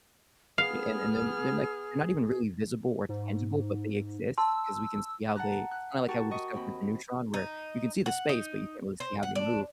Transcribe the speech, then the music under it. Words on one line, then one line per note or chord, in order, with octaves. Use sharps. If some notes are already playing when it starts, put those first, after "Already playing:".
and and they're they're, like, they're not even really visible or tangible, but they exist, 'cause we can see how they it's kinda like how we discovered the neutron, where you can see the space, but you can't really see how they move,
B3 G#4 F5 F6
G#2
A5 C6 E6
F#5 A5 A#5 F#6
F#6
F#4 G4 A#4 A5 C#6
D#5 C#6
D#2 C4 B5
D#4
F#5
D#4
C5
F#5
D4